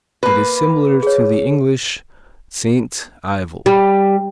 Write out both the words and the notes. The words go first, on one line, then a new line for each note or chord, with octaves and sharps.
It is similar to the English Saint Ivel.
A#3 B4
G#4 C#5
G3